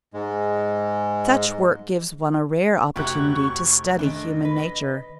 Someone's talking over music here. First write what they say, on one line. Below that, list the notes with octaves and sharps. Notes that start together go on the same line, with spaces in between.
Such work gives one a rare opportunity to study human nature.
G#2 G#3
F1 E4 F#4 G4 C#6 F#6
D#3 A3 D4 D#5
B4